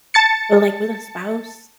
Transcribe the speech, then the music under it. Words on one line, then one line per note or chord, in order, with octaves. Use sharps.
but, like, with a spouse,
A5 A6 C#7